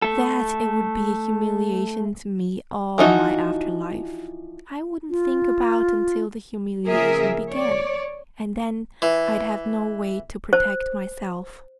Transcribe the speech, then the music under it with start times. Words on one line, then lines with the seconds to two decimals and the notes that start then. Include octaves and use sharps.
That it would be a humiliation to me all my after life, I wouldn't think about until the humiliation began, and then I'd have no way to protect myself.
0.02 A3 A4
2.98 E3 F3 D#4 F#4
5.09 F4
6.86 C#3 F3 A#3 G#4 A#4 E5
7.49 C#5 D5
9.02 E3
10.53 C5